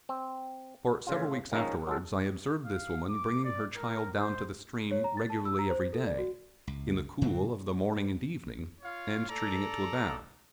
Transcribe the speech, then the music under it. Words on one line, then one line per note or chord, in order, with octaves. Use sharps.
For several weeks afterwards I observed this woman bringing her child down to the stream regularly every day, in the cool of the morning and evening and treating it to a bath.
C4
A2 C#3 F4
D#3 F3 G#3 A#3 C#4 D#4
F#3 G#3 A4
F5
D6
D5
A#4
C5
C#5
A#5
A6
A5
E6
A#5
C5
A4
D5
F#4
C#2
G#2 C#3 F#3 C4
F4 C#5 F5
A4 D5 A#5